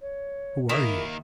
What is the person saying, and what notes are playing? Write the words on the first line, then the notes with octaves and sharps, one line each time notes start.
"Who are you?"
C#5
D#2 D#3 A#3 E4 A#4